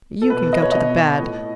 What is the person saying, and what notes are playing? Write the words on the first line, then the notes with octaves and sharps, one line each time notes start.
You can go to the bad.
A4
B2 B4
D#5
C#5
B2 D#5
A2